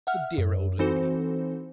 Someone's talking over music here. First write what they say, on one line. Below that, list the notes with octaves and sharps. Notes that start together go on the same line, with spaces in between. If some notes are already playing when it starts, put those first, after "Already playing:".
The dear old lady!
E5 F#5 F6
F#2
E3 C4 D#4 F#4 A4 C5